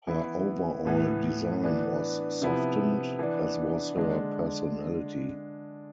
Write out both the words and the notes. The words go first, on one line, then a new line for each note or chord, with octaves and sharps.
Her overall design was softened, as was her personality.
E3 B3 E4
A2 E3 B3
E3 B3 D4
C3 F3 B3 E4
E3 B3 D4
D3 G#3 D4